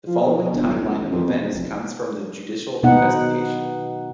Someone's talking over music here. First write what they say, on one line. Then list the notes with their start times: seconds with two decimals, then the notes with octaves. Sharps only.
The following time-line of events comes from the judicial investigation.
0.07 F3
0.21 B2
0.41 B2
0.53 G1
0.67 B1
0.82 C#2
0.97 A1
1.11 F2
1.27 B2
1.40 G#2
1.53 F1
2.83 B2 B3 D#4 F#5